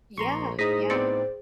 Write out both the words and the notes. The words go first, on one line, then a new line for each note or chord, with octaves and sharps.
Yeah, yeah,
A#1 A#5 C6 C#6
A2 D#4 G#4 C5 D#6 A#6 B6
B3 C4 D5 C#7